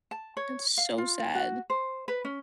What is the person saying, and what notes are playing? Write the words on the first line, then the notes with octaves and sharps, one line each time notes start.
It's so sad.
A5
C#5
F5
F4
F#4
C5
B4
C#4